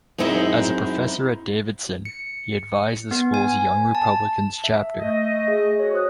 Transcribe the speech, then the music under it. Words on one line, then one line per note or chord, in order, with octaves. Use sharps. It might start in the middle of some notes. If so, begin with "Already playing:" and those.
As a professor at Davidson, he advised the school's Young Republicans chapter.
F#2 G#3 C4 D#4 E4
C#7
B3
G#5
A5
E5
A3 D#5
G#4
F#4 C#5
C5 D#6 F#6